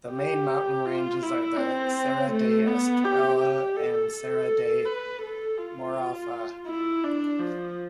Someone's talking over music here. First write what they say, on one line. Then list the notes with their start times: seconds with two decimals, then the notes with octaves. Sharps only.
The main mountain ranges are the Serra da Estrela and Serra da Marofa.
0.13 G4
0.86 F4
1.22 E4
1.58 C4
2.31 A3
2.67 B3
3.04 G4
3.40 G4
3.76 A4
4.12 A4
4.85 B4
5.22 A4
5.57 F4
6.67 E4
7.04 D4
7.39 F3